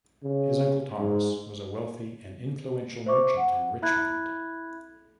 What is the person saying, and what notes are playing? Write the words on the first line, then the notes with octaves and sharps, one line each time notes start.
His uncle Thomas was a wealthy and influential merchant in Richmond.
C#3
G#2
C5 E5 C#6 D6
F#5
E4 E5 B5 F#6 G#6